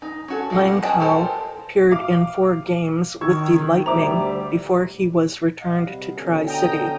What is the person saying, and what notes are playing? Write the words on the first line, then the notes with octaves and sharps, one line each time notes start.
Langkow appeared in four games with the Lightning before he was returned to Tri-City.
D#4
C#4 F#4 A4
G#3 F4 F#5
B3 F#5
G#4 B4 D#5 G5 A5
F4 G4 A4 A#4 C5
F5 D6
D#3 C#6 E6 G#6
D2 G3 C5 E5 A#5 D6
D#5 F5 F#5
C3 G3
B2 D3 C#4
G5 A#5 D#6